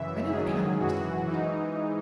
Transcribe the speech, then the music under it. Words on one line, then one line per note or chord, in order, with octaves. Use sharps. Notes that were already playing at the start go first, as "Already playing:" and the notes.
I never can understand it.
Already playing: F#2 C#3 E3 E5
G#2 D#3 F#3 G#4
F#2 E3 F#4
G#2 E3 D#4